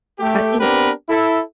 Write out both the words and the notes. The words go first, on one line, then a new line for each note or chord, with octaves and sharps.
I think
A3 G4
B3 C4 D4 G4 A#4 B4
E4 A4